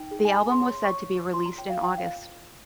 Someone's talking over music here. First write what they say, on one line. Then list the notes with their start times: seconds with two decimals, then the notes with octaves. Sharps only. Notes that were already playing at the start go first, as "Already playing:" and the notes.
The album was said to be released in August.
Already playing: D#4 G5
0.11 G#4
0.25 G#5
0.35 G#4 A#5
0.51 C6
0.60 C#5
0.69 C6
0.84 C#5 C#6
1.09 F4
1.34 F4 C6
1.46 A#5
1.58 C#5 G5
1.70 F5
1.82 F4 G5
1.98 F5
2.07 F4
2.31 F4